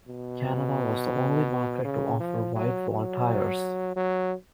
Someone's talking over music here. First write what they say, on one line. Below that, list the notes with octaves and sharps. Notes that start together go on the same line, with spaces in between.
Canada was the only market to offer whitewall tires.
B2
C#3
F3
F#3
F#3
F#3